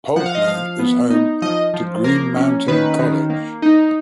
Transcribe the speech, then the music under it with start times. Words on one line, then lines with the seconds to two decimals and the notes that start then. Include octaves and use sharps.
Poultney is home to Green Mountain College.
0.16 F3 F#5
0.26 F5
0.35 D#5
0.44 F3 F5
0.79 B3
1.10 D#4
1.42 F3 D#5
1.74 F3
2.04 A#3 A#4
2.36 C#4
2.68 D#3 B4
2.99 D#3
3.30 A#3
3.62 D#4